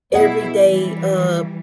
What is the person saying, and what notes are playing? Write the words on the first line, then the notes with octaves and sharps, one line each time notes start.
everyday, uh,
B2 E4 G#4 F#5
E3 G3